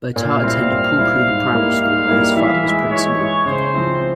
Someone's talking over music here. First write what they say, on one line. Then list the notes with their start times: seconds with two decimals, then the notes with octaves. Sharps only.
Botha attended Paul Kruger Primary School where his father was principal.
0.16 A#2 F5
0.43 G3 C4 E4
0.71 A#2
0.98 G3 C4 E4
1.26 G#2
1.53 G3 A#3 E4
1.81 G#2 F5
2.08 G3 A#3 E4
2.36 E3 E5
2.63 G#3 E4
2.91 E3 C#5
3.19 G#3 E4
3.46 C#3 C5
3.73 F3 C4 E4